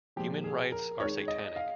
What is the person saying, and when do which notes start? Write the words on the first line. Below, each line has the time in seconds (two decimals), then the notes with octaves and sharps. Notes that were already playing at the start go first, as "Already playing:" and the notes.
Human rights are satanic!
0.16 A#2 F3 G#3 G4
0.44 G#4
0.72 A#4
1.00 D#3 G#3 C#5
1.28 D#5
1.56 F5